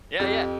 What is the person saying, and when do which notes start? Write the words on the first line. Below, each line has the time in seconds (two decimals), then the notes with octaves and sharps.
Yeah, yeah.
0.19 F2 G4